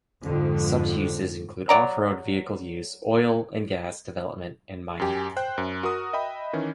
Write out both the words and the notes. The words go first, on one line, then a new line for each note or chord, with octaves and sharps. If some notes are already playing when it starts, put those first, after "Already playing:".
Such uses include off-road vehicle use, oil and gas development, and mining.
F2 G#2 D3
F#3 D5 A#5
F#2 G4 G#5
C5 G5 F#6
F#2
F#4 A#4 D#6
D#5 E5 G5 B5
D#3 E3 C#4